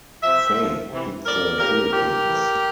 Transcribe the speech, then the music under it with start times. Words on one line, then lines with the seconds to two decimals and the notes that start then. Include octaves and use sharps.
Faye hit the Philippines.
0.23 C3 F3 C5 E5
0.57 A2 F3
0.91 C3 E3
1.24 A2 F3 A#4 D5
1.58 A2 F3 G4 A#4
1.92 A#2 F3 G4 A#4
2.26 A2 E3